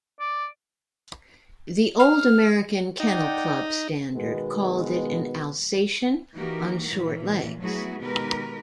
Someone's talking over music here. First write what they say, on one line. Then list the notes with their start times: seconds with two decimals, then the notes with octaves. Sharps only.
The old American Kennel Club standard called it an "Alsatian on short legs".
0.19 D5
2.00 F6
3.00 D#4 D5 F#5 G5
4.14 B2 D#3 G#3 B3
6.35 E3 A#3 D#4 F#4 G4 A#4
6.88 A#2 E3
7.59 F#3 A3 B3 E4 F#4 G#4
8.00 B2 D#3 G#3 G4 A#4 B4